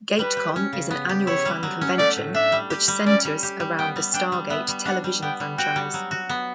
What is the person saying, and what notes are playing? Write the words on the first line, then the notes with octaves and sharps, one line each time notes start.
Gatecon is an annual fan convention, which centeres around the "Stargate" television franchise.
G3 B4
G4
C#4
C#3
B3
G4
E4 C#5
G3
F#3
C#4
A3 D5
A2
D4 E5
G3
G4
G3
C#4 D5
G3
G4
G3
B3 G5
G3
D4 G5
G3
B3 E5
G3
D4 F#5
G3
B3 G5
G3
F#4 G5
G3
F#3
F#4
B3